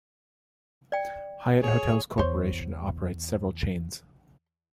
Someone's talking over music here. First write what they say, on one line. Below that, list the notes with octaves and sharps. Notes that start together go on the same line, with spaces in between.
Hyatt Hotels Corporation operates several chains.
D5 G5
G#4 C#5
E2 C5 C#5